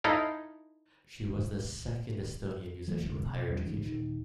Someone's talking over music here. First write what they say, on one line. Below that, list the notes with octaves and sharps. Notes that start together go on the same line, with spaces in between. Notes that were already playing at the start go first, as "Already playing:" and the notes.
She was the second Estonian musician with higher education.
D#4 E4 A4 F5
E3 F#3 A3 A#3
E1 C#2 G#3
B2
E2 F3 G3 C#4
A1 G#2 C#3
D#1 D#3